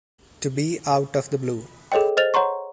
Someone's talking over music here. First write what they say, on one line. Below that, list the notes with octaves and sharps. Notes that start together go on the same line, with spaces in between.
To be out of the blue.
G#4 A4 C#5 D#5 G5
C5 D#5 F6 A6 F7
C#5 F#5 A#5 C6 C#6